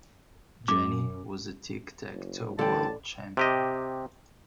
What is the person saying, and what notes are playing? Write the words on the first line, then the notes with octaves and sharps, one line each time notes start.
Jenny was a tic-tac-toe world champion.
F#2 D6
F#1
A1 D3 A4 G5 A5
C3 G4 D#5